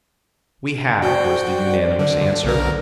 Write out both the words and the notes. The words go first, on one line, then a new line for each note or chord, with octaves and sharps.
"We have," was the unanimous answer.
F#4 C5 D5 G5
D3
B1 D3 A#4